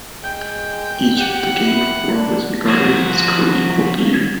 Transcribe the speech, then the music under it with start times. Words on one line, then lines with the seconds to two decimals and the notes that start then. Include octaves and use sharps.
Each of the Gang of Four was regarded as coequal leader.
0.23 G#3 G5
1.18 G4 F#5
1.63 E4
2.14 D4
2.67 F3 F#4